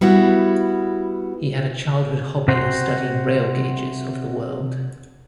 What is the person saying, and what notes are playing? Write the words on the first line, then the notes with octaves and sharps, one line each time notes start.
He had a childhood hobby of studying rail gauges of the world.
G3 B3 E4 F#4
C3 F#4 C5